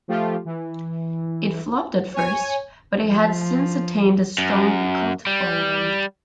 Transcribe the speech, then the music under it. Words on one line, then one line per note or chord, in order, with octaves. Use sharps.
It flopped at first, but it has since attained a strong cult following.
F3 A3 F4 G4
E3
C#5 G#5
F3
F#2
G3